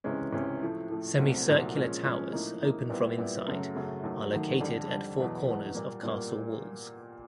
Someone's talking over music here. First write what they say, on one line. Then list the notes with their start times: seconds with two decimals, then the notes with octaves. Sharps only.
Semicircular towers open from inside are located at four corners of castle walls.
0.04 C#2 C3 E3 G#3 C#4
0.33 C#2 C3 E3 G#3 C#4
0.61 A2 F3 A3
0.90 A2 F3 A3
1.18 C2 A#2 F#3 A3 C4
1.47 C2 A#2 F#3 A3 C4
1.75 A#2 F3 G#3 C#4
2.04 A#2 F3 G#3 C#4
2.32 A2 F3 A#3 D#4
2.61 A2 F3 A#3 D#4
2.89 A#2 G3 B3 E4
3.18 A#2 G3 B3 E4
3.46 F#2 C#3 F#3 A3
3.75 F#2 C#3 F#3 A3
4.04 D#2 D#3 F#3 A3
4.32 D#2 D#3 F#3 A3
4.60 F2 D3 G3
4.89 F2 D3 G3
5.18 E2 B2 F#3
5.47 E2 B2 F#3
5.74 A#2 G3 A#3
6.03 A#2 G3 A#3